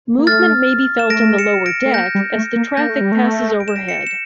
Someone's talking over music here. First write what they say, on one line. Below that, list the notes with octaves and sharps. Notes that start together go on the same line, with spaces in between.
Movement may be felt on the lower deck as the traffic passes overhead.
A#3
A3 F6 A6
E7
A3 A#6 D7
C#7 E7
A#6 D7
A3
A#3 G6 A#6
G3
A3
A#3
A#3 G6 A#6
A3
G3
A3
D7
E7
A#6 D7
C#7 E7
E7